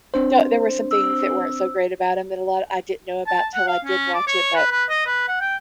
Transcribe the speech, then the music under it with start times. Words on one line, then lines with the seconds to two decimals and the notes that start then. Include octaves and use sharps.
there there were some things that weren't so great about him that a lot I didn't know about 'til I did watch it, but
0.14 C4 D4 C5
0.91 E6
3.27 A5
3.54 F#5
3.67 F5
3.85 C#4
4.14 D5
4.27 C#5
4.55 B4
4.71 B4
4.89 D#5
5.06 B4
5.28 F#5
5.41 G5